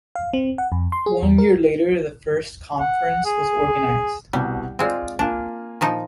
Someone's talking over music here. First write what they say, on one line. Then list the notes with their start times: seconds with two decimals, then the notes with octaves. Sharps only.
One year later the first conference was organized.
0.15 F5
0.33 C4
0.58 F#5
0.72 F2
0.92 C6
1.06 G#4
1.23 E2
1.38 A#4
2.80 F#5
3.25 G#4
4.33 C2 B2 G3
4.79 G#3 C4 F4 G#4 D5
5.19 A#3 D4 F4 G#5
5.81 A#2 F3 D#4